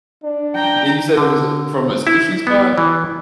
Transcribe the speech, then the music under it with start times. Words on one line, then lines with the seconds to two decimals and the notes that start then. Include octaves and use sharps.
And you said it was, uh, from a sushi spot?
0.24 D4
0.56 G5 A#5
1.17 D3
2.07 E4
2.47 B3
2.78 E3